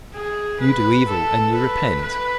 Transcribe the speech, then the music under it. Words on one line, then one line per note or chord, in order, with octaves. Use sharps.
You do evil, and you repent?
G#4
B4
A4
B4
B4